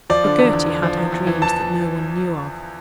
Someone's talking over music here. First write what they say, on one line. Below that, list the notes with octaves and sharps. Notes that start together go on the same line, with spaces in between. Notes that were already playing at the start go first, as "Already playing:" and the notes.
For Gerty had her dreams that no-one knew of.
F3 D5
D3
E2
E2
D3
F3
E2
E2
E3
E2 A5